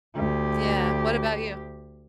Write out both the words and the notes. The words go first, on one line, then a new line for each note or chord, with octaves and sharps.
Yeah, what about you?
D2 G4